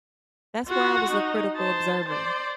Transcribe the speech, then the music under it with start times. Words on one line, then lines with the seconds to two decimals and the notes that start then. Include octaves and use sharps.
That's where I was a critical observer.
0.67 F4 F#4
1.11 D#4
1.57 C5 A5
2.06 C5 D5